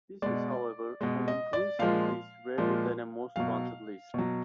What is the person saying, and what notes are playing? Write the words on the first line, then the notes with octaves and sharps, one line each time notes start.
This is, however, an inclusive list rather than a "most wanted" list.
B2 G#3 D5
B2 G#3 D#5
D#5
D5
A#2 F3 G#3 F5
A#2 F3 G#3
B2 F#3 F5
B2 F#3